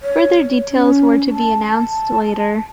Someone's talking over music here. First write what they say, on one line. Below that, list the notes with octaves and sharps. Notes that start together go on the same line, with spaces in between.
Further details were to be announced later.
C#5
C#4
A5